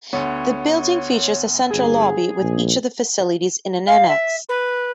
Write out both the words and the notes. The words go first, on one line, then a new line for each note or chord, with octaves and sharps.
The building features a central lobby with each of the facilities in an annex.
D2 D3 B3 C#5
G1 G#4
A#1
F5
E5
B4